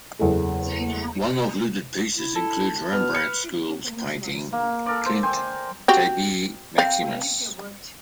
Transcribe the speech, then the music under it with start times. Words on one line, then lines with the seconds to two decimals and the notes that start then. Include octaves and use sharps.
One of looted pieces includes Rembrandt school's painting 'Klint Tabie Maximus'.
0.19 F#1 E2 G#4 A4
2.15 E4
2.36 A4
2.92 B3 F#4 F6
3.15 B4 C#7
4.52 A#3
4.86 A4 A#4 D5
5.06 C5
5.23 C5 G5 G#5
5.88 C4 F#4 G4
6.78 C4 F5